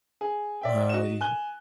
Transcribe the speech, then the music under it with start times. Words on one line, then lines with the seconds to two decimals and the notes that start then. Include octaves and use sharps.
Uh, you
0.21 G#4
0.61 D5 E5 G5
0.89 F#4 D#5 E7
1.21 G#5 F#6 G7